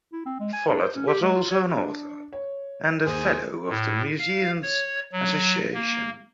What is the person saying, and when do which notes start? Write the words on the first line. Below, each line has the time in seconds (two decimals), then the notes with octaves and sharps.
Follett was also an author and a Fellow of the Museums Association.
0.12 E4
0.26 C4
0.40 G#3
0.53 G#5
0.67 D4
0.82 C5
0.96 C#4
1.07 G4
1.22 G#3
1.35 F4
1.51 C#5
1.77 D4
2.32 C#5
3.06 D#2 G#4 C5
3.69 A2
4.19 F5
4.62 C#5
5.12 F#3
5.74 A#3